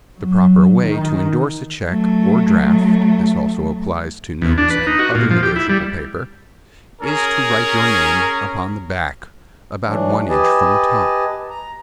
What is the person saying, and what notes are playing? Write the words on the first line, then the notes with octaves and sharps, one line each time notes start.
The proper way to indorse a check or draft--this also applies to notes and other negotiable paper--is to write your name upon the back about one inch from the top.
F#3
D#3
F#3 A3
E2
D4
B4
D#4
F#4
A#2
F3
G4
E4
G3
C#4 G#4 A#4
E3 F#3 D4
G4 B4 D#5 G#5 A5
A#5